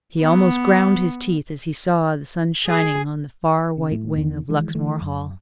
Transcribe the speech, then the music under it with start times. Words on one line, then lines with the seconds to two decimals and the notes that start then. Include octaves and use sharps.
He almost ground his teeth as he saw the sun shining on the far white wing of Luxmore Hall.
0.21 B3
2.67 G#4
3.78 C#3
3.92 A2
4.16 E2 D#3
4.49 D#3 E3 G#3
4.75 E3 A3
5.01 F#2